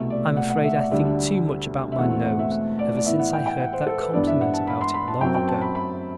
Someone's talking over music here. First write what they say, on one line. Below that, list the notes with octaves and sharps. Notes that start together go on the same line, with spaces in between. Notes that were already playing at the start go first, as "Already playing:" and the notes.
I'm afraid I think too much about my nose ever since I heard that compliment about it long ago.
Already playing: C2 B2 A3 E5
D5
F#5
F#5
E5
D5
D2 D3 G3 D4 E5
E5
E2 B2 A3 C4 F#5
F#5
E5
F#5
D5
D5
A2 E3 B3 E5
F#5
G5
G5
F#5
C5
A4
B4
G2 E3 B3 D4 D5
E5
F#5
A5
B5
C6
B5
A5
F#2 F#3 C4 G5
G5
A5
B5
B5